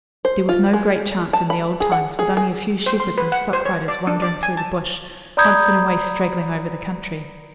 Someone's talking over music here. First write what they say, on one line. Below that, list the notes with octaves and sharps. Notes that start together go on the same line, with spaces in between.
There was no great chance in the old times with only a few shepherds and stock-riders wandering through the bush, once in a way straggling over the country.
C5
F4
G#3
A5
B5
G#4
F#5
G#4
G#4
C5
C6
B4
F#5
C5
C#5
D5
D4
D5
G#5
A5
D5 A#5 B5 D#6 G6 G#6